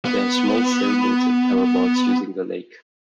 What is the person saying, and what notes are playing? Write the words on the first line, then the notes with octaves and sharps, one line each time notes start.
There are small sailboats and paddleboats using the lake.
B3